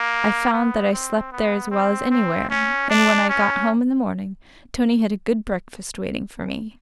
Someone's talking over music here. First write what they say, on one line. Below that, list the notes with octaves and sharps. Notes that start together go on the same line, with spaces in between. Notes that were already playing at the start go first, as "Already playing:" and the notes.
I found that I slept there as well as anywhere, and when I got home in the morning, Tony had a good breakfast waiting for me.
Already playing: A#3
B3
C4
B3
C4
C4
C#4
D4
C#4